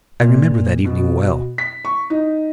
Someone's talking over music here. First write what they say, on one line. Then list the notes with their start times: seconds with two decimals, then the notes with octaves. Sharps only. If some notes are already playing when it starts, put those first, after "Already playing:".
I remember that evening well.
0.20 A#2
0.85 B2
1.58 B6
1.85 C#6
2.10 D#4